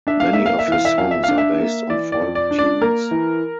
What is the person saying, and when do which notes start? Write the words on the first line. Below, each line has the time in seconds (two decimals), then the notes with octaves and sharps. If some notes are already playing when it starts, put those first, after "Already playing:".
Many of his songs are based on folk tunes.
0.07 D4 E5
0.20 F5
0.33 A#3 E5
0.46 F5
0.59 E5
0.68 E3 F5
0.85 E5
0.98 F2 F5
1.11 E5
1.24 D4 F5
1.38 E5
1.60 A#3
1.89 E3 D5
2.12 D5
2.21 F2
2.35 D5
2.51 D4
2.59 D5
2.81 A#3 A#4
3.11 E3